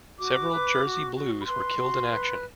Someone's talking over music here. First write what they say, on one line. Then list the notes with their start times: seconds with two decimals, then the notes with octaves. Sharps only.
Several Jersey Blues were killed in action.
0.19 F#4 D6
0.51 B4
0.82 F#4
1.14 F#4
1.40 B5
1.46 B4 C6
1.78 F#4
2.09 B4